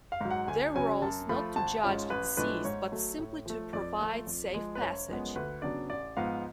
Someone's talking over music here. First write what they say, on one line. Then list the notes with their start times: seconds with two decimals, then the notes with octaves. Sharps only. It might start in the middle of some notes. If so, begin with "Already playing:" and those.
Their role is not to judge the deceased, but simply to provide safe passage.
0.12 F5
0.21 G#2 F#3
0.30 F#5
0.47 D2 G#5
0.75 C#3 F#3 C#4 G#5
1.02 F#2 A5
1.29 F3 A3 F4 B5
1.56 G#1 A5
1.83 G#2 G#3 C#4 F4
2.10 A1 B4
2.37 A2 F3 G#3 D4 B4
2.65 G#2 C#5
2.92 F#3 A3
3.19 A2
3.46 F3 A3
3.73 F2 D5
4.00 F3 A3 F4
4.27 F2
4.54 F3 G#3
4.75 B4
4.81 F#1 C#5
5.08 F#2 F3 G#3 B3
5.36 D2 B4
5.62 C#3 F#3 B3 D4 D5
5.90 A1 D5
6.17 G#2 F3 B3 F5